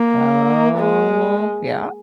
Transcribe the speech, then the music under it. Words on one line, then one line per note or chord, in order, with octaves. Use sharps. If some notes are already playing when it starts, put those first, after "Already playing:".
Oh yeah.
Already playing: A#3
G#3